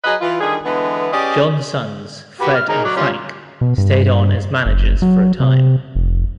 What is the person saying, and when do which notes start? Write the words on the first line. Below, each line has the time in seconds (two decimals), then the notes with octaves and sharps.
John's sons, Fred and Frank stayed on as managers for a time.
0.04 F#3 G#4 B4 D#5
0.21 E3 F4
0.40 D3 D#3 G3 G#4
0.65 D3 E3 G#3 B3
1.12 C#4 G4 G#4 D5 D#5
2.41 F#4 G4 B4
2.55 F6
2.69 D#4 G#4 A#4
2.84 F#3 D5
2.96 G3 C#4 F4
3.61 B2
3.78 G2
4.66 F#1
5.02 F#3
5.40 C3
5.95 F1